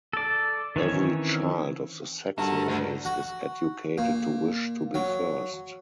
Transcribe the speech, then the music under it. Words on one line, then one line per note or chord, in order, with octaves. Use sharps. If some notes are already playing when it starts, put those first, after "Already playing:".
Every child of the Saxon race is educated to wish to be first.
A4 D5
D#3 E3 C4 C#4 C#5
G2 D3 F#4 A4 A#4
D2 F#4 D5
F#4
A#2
F#3